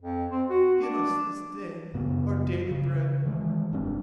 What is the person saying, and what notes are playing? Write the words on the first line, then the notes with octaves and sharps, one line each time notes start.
"Give us this day our daily bread."
F2
C4
F#4
D4
F#2 C#3 B3
C#3
D#3 E3 G#3
F1 G2 C3 D4